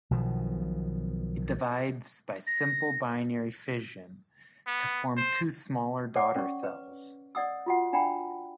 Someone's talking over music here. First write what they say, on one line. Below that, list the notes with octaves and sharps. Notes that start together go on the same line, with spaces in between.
It divides by simple binary fission to form two smaller daughter cells.
B1 B2 D#3 F3
A#6
B3
C5
A4 C#5 D5 F#5 D6
C#4 D5 C#6
B4
D5 D#5 F#5 D#6 E6
F4 F#4 F#5
D4 D5 F#5 G5 A#5 B5